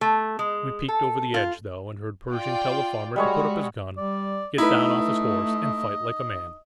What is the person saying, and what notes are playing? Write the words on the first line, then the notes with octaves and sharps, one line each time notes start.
We peeked over the edge, though, and heard Pershing tell the farmer to put up his gun, get down off his horse, and fight like a man.
A3
G#3
A4
F4
F4 D5 G5
G3 G#3 F#4 C#5
G3 D5
A3 D#4 E4 B4 D#5